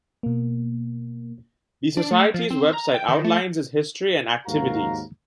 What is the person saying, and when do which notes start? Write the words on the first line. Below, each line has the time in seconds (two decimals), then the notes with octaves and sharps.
The society's website outlines its history and activities.
0.23 B2 A#3
1.97 D4
2.11 A3
2.34 F3
2.50 C4
2.73 A#5
2.94 G5
3.08 D#3
3.24 A3
4.46 D#2 G#2 F#4 A#4 F5 A#5